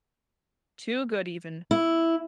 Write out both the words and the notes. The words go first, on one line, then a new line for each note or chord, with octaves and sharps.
too good, even.
E4